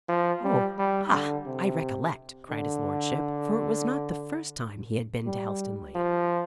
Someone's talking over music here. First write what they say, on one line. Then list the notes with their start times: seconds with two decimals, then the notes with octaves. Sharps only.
"Oh, ah, I recollect," cried his lordship--for it was not the first time he had been to Helstonleigh.
0.08 F3
0.43 G3
0.78 G3
1.13 D3
1.46 C3
2.50 D3
5.26 G3
5.95 F3